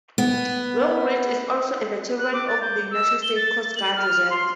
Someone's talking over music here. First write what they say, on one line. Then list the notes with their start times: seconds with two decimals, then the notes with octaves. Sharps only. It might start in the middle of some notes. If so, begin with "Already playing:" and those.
Wainwright is also a veteran of the United States Coast Guard Reserve.
0.18 B3
2.19 F#6
2.33 D6
2.48 A6
2.62 G6
2.91 E6
3.22 G7
3.36 A6
3.76 F#7
3.96 F6
4.30 C6